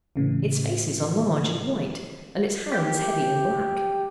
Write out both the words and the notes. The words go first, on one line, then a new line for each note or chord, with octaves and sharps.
Its faces are large and white, and its hands heavy and black.
A2 C#3 E3
G4